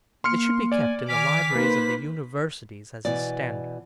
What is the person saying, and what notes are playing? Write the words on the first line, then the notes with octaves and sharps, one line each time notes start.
It should be kept in the libraries of the Universities as a standard.
A#3 C6 F6 C#7
D5 G#5
D#3 G#5 D6 F6 B6
A#3 D#4 B4 C5
B2 E3 D5